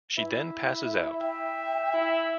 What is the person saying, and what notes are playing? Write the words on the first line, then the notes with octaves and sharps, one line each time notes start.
She then passes out.
E4
E5 G5
E4